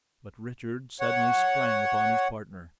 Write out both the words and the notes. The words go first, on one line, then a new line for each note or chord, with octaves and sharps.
But Richard suddenly sprang upon his partner.
C#5 F#5